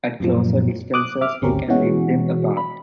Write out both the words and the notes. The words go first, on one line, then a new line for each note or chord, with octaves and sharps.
At closer distances he can rip them apart.
F#2 A#2 F3
D6 D#6 F#6
E5 D6 F6
G#1 D2 C4 C#4 G4 A#4
B2 E3 G#3 C#4 F#4
B5